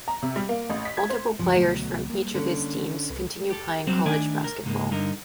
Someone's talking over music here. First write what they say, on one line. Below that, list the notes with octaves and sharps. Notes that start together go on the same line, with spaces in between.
Multiple players from each of his teams continue playing college basketball.
A#5
C3
G3
A#3
A1
B6
G#6
C5
G1 D2 C#3 F3
C#2 B2 D3 F#3 A3
G3 A3 A#3
D3 C#4
C2 B4
G4 A4
F#3 G3 C4 F#4 G4
D#3 A3 D4 D5 G#5
A#4
C#2 G#2 G#3 A#3
G2 D3 D#4 A#4